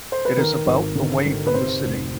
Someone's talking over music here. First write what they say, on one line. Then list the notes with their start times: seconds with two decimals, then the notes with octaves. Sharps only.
It is about away from the city.
0.12 C5
0.25 B4
0.37 D#3 A#4
0.66 G#1
0.95 D3
1.25 G#1
1.47 B4
1.54 C3 C5
1.83 F1